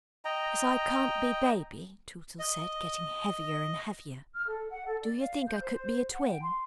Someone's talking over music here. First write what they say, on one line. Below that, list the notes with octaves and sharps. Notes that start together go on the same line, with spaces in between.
'As I can't be baby,' Tootles said, getting heavier and heavier, 'do you think I could be a twin?'
D#5 G5 A#5
D#5
F6
A4
F#5
A4
D5
F5
G6
C5
F#5
G5
C6